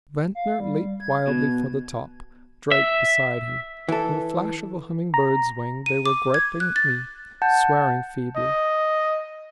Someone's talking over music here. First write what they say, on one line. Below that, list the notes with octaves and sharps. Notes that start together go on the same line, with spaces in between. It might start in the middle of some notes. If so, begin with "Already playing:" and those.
Ventnor leaped wildly for the top, Drake beside him; in the flash of a humming-bird's wing they were gripping me, swearing feebly.
F5
G3
G#6
B2
E5
E3 A4
A#5
D#7
D6
G#6
F#6
A6
F#5 A5 G6
D#5